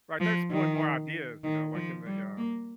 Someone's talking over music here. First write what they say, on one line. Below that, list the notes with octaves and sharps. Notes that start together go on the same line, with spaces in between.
Right, they're exploring more ideas, you know, like in the j uh
F3
D#3
D#3
F3
G3
A#3